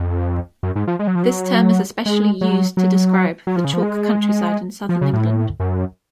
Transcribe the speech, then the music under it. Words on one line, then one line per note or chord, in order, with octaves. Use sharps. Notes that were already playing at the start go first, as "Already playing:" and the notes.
This term is especially used to describe the chalk countryside in southern England.
Already playing: F2
F#2
G#2
F3
G#3
F#3
F3
F#3
G#3
F#3
F#3
F#3
F3
C#3
F3
G#3
F3
C#3
A2
F#2